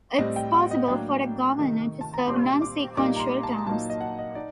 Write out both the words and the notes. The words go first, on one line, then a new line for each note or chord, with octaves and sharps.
It is possible for a governor to serve non-sequential terms.
A2 G3 C4 D#5
G5
F#5
D#5
A2 F#3 A#3 D4 G5
C3 D#3 A3 D#4
A5
A#5
A#2 G3 C4 C6
D6
A#2 G3 A#3 D#4 D6
A#5
C6
A5
A#5
A#2 F#3 A#3 D#4 A5
D#5
F#5
D#5
D#4 D5